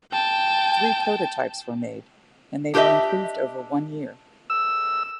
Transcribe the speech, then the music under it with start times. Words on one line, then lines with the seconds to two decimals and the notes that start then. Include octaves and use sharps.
Three prototypes were made, and they were improved over one year.
0.12 G5 A5
2.74 D4 G4 B4 C5 D#5 E5
4.50 E6